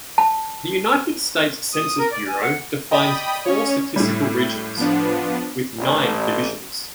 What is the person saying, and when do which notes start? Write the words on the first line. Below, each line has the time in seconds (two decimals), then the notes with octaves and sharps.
The United States Census Bureau defines four statistical regions, with nine divisions.
0.18 A5
1.73 D#6
1.99 A#4
2.12 D5
2.28 G#5
2.42 F#5
2.91 D5 D#5 G5 B5 D#6
3.45 C#4 C#5
3.96 A2 G3 E4
4.77 F3 B3 D4
5.78 A1